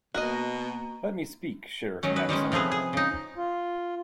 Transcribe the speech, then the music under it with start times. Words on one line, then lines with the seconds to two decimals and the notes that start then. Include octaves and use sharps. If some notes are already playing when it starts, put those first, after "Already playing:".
Let me speak, Sheriff Matson!
0.14 B2 A#3 F#4 A#4 D#5 A#5
2.03 D#3 F#3 C#4
2.16 B3 B4
2.29 D#3 G3 G#3 C#4
2.52 C3 F3 A3 G#4 B4
2.72 G#4
2.93 C#3 D#4
3.37 F4